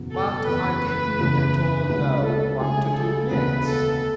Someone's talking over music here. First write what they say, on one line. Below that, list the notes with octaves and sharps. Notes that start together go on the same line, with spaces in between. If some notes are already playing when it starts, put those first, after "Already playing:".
But I did not at all know what to do next.
Already playing: F#1 E2 B2
A4
F#1 E2 C#3 E3 B4
F#1 E2 C#3 E3
D2 C#3 G#3 B4
A4
D2 C#3 G#3 G#4
A4
E1 D2 C#3 B4
A4